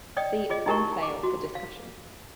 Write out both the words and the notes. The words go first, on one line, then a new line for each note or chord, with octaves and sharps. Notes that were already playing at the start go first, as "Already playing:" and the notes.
See Omphale for discussion.
D5 D#5 G5 D#6
F4 G#4 D#5
D#4 E4 G4 A#4 A#5 C#6
D6
F#4
F5